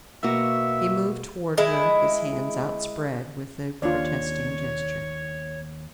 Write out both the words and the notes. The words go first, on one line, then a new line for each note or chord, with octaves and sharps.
He moved toward her, his hands outspread with a protesting gesture.
B2 A#3 F#4 E5
G#3 E4
D#2 D4 F4 C#5 D5